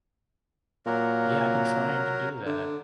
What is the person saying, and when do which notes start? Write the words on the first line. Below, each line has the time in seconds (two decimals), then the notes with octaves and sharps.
Yeah, I've been trying to do that.
0.86 A#2 F#3 A#4
2.46 D3